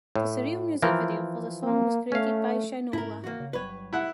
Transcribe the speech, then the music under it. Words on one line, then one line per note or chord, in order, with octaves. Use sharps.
The surreal music video for the song was created by Shynola.
A2
E3 F3 A#4
A#3
A3 C#4 F5
G#2 C#4 E4 A#4
E3 A#3 F#4
C#3
G1 F#3 G3 B4 C#5
E4 F#5